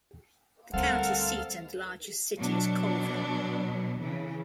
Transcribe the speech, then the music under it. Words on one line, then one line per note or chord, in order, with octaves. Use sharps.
The county seat and largest city is Colville.
D2 G3 C4 A4 A#4 F5 F#5
B2 F#3 D4
C#3 E3